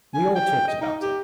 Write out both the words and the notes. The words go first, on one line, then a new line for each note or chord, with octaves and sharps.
We all talked about it.
G#5
G5
D#5
D#4
G4